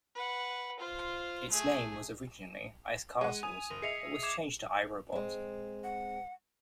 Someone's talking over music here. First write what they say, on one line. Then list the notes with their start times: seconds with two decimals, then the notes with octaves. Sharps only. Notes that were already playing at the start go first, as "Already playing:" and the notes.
Its name was originally "Ice Castles", but was changed to "I, Robot".
0.15 B4 F#5
0.79 F4 C5
1.50 A3 G#4
3.21 G#3 F#5 D#7
3.43 G#5 D#6
3.70 F#1
3.82 G#4 D#5 E5 C7 C#7 F7
4.23 D6 G#6 E7
5.12 G#3 C4
5.84 F#5